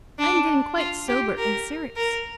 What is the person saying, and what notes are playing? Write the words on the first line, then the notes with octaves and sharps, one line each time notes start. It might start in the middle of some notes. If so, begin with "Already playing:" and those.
I am getting quite sober and serious.
D4
F4
G4
A#4
A#4